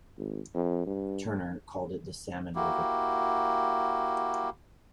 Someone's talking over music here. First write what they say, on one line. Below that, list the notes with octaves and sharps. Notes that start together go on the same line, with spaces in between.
Turner called it the Salmon River.
G#1
F2
G2
A#3 E4 F#4 G4